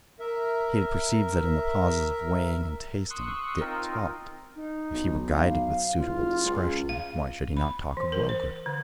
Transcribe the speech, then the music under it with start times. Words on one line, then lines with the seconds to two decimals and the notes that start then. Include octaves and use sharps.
He had perceived that in the pauses of weighing and tasting, Dick talked; if he were guided with suitable discretion, why should he not talk of Wellgood?
0.20 A#4 E5
3.10 C6 C#6 D#6 E6 F#6
3.61 C4 D#4 F4 A#4
4.56 D#4
4.94 B1
5.30 F5
5.98 F#1 F4
6.44 C#2
6.89 F5
7.57 B5
7.97 E3
8.12 A#4
8.29 C5
8.66 D3